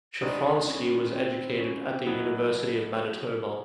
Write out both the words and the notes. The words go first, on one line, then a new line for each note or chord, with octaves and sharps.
Shafransky was educated at the University of Manitoba.
D#3 G#3 B3 D4
C#4
C4
C#4
C4
B2 F#3 B3 E4